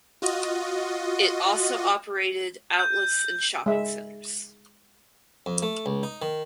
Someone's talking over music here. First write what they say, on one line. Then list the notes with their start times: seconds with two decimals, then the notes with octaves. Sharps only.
It also operated outlets in shopping centers.
0.22 F4 F#4 D#5
2.79 G6
3.66 G#3 E5
5.46 F2
5.63 A3
5.86 C#2
6.03 D#4
6.22 D#3